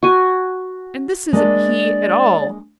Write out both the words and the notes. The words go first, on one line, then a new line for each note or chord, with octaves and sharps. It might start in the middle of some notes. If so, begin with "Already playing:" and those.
And this isn't he at all!
F#4 G#5
G#3 A#3 D4 D5